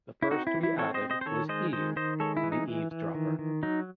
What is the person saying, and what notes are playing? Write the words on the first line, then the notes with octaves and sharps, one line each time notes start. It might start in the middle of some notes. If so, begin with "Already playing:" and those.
The first to be added was Eve, the eavesdropper.
E4
C4 D#4 F#4
E4
E3
E4
C4 A4 C#5
C5 D#5
C4
C5 D#5
C5
D#3 A4 C#5
G#3 C5 D#5
D#3 C5 D#5
D#3 C5 D#5
G#3 A4 C#5
E4
E3
D#4
E3
E3
D#3
D#3
F#3 D#4